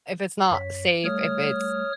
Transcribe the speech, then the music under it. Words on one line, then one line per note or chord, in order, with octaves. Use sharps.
if it's not safe, if it's
F#2 C#5 B6
G3 A3 C#5 D#6 F6